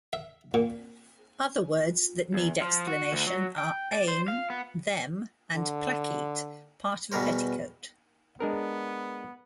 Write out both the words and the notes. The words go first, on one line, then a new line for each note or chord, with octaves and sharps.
Other words that need explanation are "ame" 'them' and "plack-keet", 'part of a petticoat'.
E5
A#2
E2
F3
F#4
D2
F#3
G5
D5
C5
F5
B3
D3
E2 B2 G3 A#4 C5
G#3 B3 D4 A#4